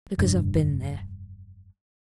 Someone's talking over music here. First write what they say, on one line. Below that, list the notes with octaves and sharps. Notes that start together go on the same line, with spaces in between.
Because I've been there.
F1 G2 D4